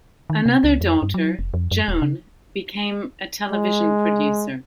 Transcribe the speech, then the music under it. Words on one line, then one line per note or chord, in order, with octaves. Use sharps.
Another daughter, Joan, became a television producer.
D#3
C3
C#2
F2
G2
F#3
F1
F2
F#2
D#1
C#3
G#3